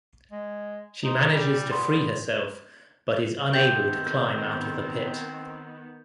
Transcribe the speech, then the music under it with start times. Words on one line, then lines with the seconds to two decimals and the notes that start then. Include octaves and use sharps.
She manages to free herself but is unable to climb out of the pit.
0.31 G#3
1.05 D#4 C5
1.31 A#2 G3
1.71 B3 C6
3.53 D#3 B3 C4 G4 E5 G6